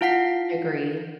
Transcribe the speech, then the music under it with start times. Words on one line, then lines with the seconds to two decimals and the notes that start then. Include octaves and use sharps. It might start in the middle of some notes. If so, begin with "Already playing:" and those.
I agree.
0.01 E4 F4 F5 F#5 B6 C7